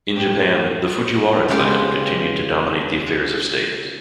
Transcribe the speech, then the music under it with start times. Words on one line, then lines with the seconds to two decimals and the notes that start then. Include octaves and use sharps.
In Japan, the Fujiwara clan continued to dominate the affairs of state.
0.16 A2 G4
1.48 C#3 G#3 B3 F4 G4